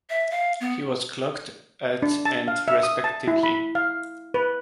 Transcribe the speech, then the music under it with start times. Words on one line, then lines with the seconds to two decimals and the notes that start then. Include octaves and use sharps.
He was clocked at and respectively.
0.10 E5
0.31 F5
0.61 B3
2.02 D4
2.25 A5
2.48 F5
2.68 E5
2.83 D#6
3.04 A5
3.27 E4
3.43 B5
3.75 F5
4.34 B4